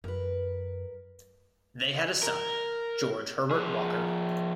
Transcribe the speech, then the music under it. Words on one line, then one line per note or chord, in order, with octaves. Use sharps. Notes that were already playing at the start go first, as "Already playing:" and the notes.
They had a son, George Herbert Walker.
F#2 A#4 B4
A#4
F3 G#4